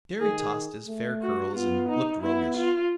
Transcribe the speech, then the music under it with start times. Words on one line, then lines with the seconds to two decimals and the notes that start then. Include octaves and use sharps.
Jerry tossed his fair curls and looked roguish.
0.20 D#3 G#4
0.88 A3
1.21 F#4
1.55 B3 F4
1.89 D#4
2.23 B3 E4
2.57 F4